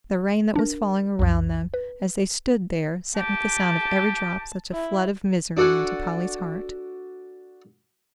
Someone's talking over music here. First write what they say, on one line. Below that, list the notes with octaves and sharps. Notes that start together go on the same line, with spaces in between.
The rain that was falling around them as they stood there sent with the sound of every drop such a flood of misery into Polly's heart!
D4 A#4
B1 F2
B4
G4 A5
E4
D4 F#4 A4 F#5 G#5